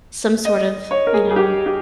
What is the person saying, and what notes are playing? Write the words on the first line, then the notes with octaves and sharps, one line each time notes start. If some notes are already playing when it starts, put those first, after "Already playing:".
some sort of, you know
D#5
C#5
A#4
G#4
G#4
G4
G4